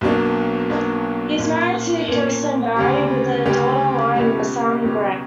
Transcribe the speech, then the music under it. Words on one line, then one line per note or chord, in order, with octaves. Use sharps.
He is married to Kerstin Barry, with a daughter, Lauren and a son, Grant.
B1 B2 F#3 A#3 D4
B1 B2 F#3 A#3 D4
B1 A#2 A#3 C#4
B1 A#2 A#3 C#4
D2 C#3 G3 C#4 G4
D2 C#3 G3 C#4 G4
C#2 B2 G3 C#4 G4
C#2 B2 G3 C#4 G4